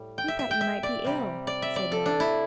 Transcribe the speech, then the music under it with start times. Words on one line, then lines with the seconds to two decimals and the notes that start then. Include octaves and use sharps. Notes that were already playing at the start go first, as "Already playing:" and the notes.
"We thought you might be ill," said Nora.
Already playing: A2 G3
0.18 G5
0.28 E5
0.39 E5
0.51 G5
0.61 E5
0.83 D5
1.05 C3 G3
1.47 D5
1.62 E5
1.76 D5
1.92 A4
2.06 D4
2.20 E4